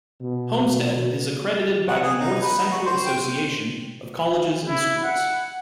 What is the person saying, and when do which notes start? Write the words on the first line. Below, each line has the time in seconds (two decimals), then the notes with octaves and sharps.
Homestead is accredited by the North Central Association of Colleges and Schools.
0.21 B2
0.69 B2
1.88 F#5
2.03 G#4
2.20 D#4
2.41 B4
2.58 D#4
2.72 F#4
2.86 C5
3.06 G5
4.68 E4
5.04 F#5